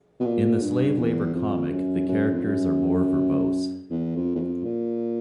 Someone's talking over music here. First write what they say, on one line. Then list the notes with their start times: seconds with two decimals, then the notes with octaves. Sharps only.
In the Slave Labor comic, the characters are more verbose.
0.20 B2
0.25 A#2
0.62 G2
0.98 E2
1.35 F2
1.71 F#2
2.08 F#2
2.34 F2
2.44 F#2
3.91 E2
4.16 F2
4.35 E2
4.40 F2
4.64 A#2